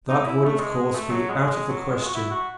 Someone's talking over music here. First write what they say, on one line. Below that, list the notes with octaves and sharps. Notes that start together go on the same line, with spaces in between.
That would, of course, be out of the question.
D#4
E4
A3
G#3
G#3
A3
F#3
G#3
G#3
F#3
G#3
F#4
E4
F#4